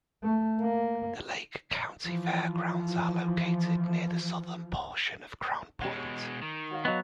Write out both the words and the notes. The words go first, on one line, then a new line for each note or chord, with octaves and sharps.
The Lake County Fairgrounds are located near the southern portion of Crown Point.
A3
A#3
E3 F3
B2 G#3 C#4 G4 D#5
C#5
D#3
F#4 C#5 F5
F#3 B3 D#5 F5